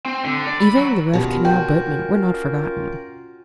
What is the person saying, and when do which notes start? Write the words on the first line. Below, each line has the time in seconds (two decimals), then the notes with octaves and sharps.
Even the rough canal boatmen were not forgotten.
0.06 C4
0.25 D3
0.47 D5
0.60 B5
0.76 F#3
1.13 B2 D#3 C#4 F4 G4 A#4
1.45 F#4 G5